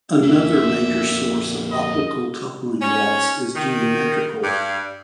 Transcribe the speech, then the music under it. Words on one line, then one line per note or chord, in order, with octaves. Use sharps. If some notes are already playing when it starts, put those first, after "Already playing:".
Another major source of optical coupling loss is geometrical.
F2 A#3 E5
D#5
C#4
D#3
G2